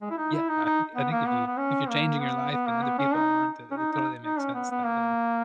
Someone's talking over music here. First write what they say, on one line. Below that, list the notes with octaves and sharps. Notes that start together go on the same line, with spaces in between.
yeah, I think I think if you if you're changing your life and other people aren't, i it totally makes sense that that, um
G#3
E4
D#4
E4
D#4
D#4
B3
A#3
B3
B3
C#4
A#3
B3
B3
A#3
B3
C#4
D#4
C#4
D#4
D#4
D#4
C#4
B3
B3
A#3